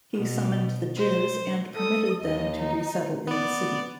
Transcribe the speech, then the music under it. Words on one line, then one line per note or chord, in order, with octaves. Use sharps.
He summoned the Jews and permitted them to resettle in the city.
B2
C5
A4 D#6
D#2 D#5
D#4
B3 D5